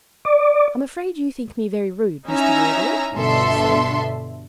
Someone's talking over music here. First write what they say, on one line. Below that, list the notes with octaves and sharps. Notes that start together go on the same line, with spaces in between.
"I am afraid you think me very rude, Mr. Wardour," she said.
D5
C#4 D#4 E4 E5 G#5 A#5
G1 B2 D3 A4 E5 C6